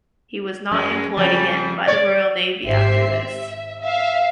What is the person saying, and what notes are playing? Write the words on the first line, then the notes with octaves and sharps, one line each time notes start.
He was not employed again by the Royal Navy after this.
F#2 G#3
F2 C#3 G3
C#5 D5
G#1 G4 C5 E5 C7
E5
E5 F5